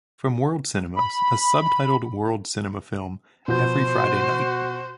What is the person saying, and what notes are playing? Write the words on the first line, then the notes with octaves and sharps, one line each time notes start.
From World Cinemas - A subtitled world cinema film every Friday night.
B5
B2 F3 C5 G6
F#4